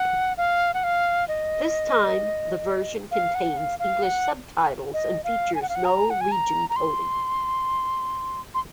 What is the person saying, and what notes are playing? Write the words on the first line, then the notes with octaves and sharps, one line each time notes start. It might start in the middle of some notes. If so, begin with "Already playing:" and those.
This time the version contained English subtitles and features no region coding.
Already playing: F#5
F5
F#5
F5
D#5
F5
F#5
F5
F5
F#5
D#5
F5
G#5
F#5
F5
F#5
A#5
F#5
G#5
A#5
A#5
C6
C6